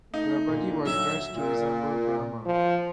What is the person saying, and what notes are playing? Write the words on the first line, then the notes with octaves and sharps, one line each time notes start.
The body was dressed to resemble Brahma.
A3 D#4
A#2 D3
D2 F#3 E5
A#2
F3